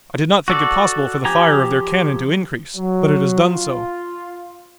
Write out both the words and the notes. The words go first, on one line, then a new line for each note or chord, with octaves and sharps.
I did not think it possible for the fire of their cannon to increase, but it has done so.
F#4 A4 D5
F3 G4 G#5 A#5
F#3
F4